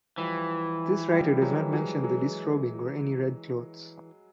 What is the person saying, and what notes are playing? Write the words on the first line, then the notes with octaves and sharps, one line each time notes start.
This writer does not mention the disrobing or any red clothes.
E3 F3 G3
F3 G3
F#3 G#3
F#3 G#3
F#3 G#3